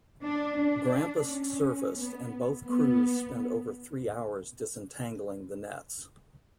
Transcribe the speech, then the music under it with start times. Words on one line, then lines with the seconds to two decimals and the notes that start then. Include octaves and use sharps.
"Grampus" surfaced and both crews spent over three hours disentangling the nets.
0.23 D4
0.58 D4
1.27 C#4
1.98 B3
2.66 B3